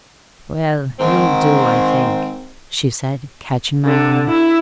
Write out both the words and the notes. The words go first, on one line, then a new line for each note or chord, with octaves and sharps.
'Well, you'll do, I think,' she said, catching my arm.
G#2 D#3 C4
D3
E4